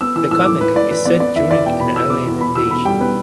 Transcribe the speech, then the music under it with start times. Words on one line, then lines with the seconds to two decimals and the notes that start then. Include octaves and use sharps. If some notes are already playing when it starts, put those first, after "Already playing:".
The comic is set during an alien invasion.
0.01 B3 E6
0.16 E3 E6
0.31 A2 E6
0.45 A2 D6
0.61 A2 B4
0.75 A2 D5
0.91 E3 B4
1.05 B3 D5
1.20 B3 D5
1.35 E2 E5
1.50 E2 D5
1.66 B2 G5
1.80 B2 B5
1.96 E2 E6
2.10 B3 D6
2.26 E2
2.40 B2 B5
2.55 E2 E6
2.71 B2 B5
2.85 G3 G5
3.01 B3 B4